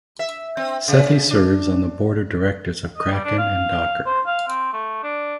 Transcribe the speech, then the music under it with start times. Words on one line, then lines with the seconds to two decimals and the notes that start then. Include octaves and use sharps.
Sethi serves on the board of directors of Kraken and Docker.
0.19 E5
0.57 C4
0.88 C#3
1.30 D4
2.97 D#5
3.12 G3
3.24 D4
3.38 F5
4.06 C5
4.27 F5
4.48 C4
4.73 A3
5.03 D4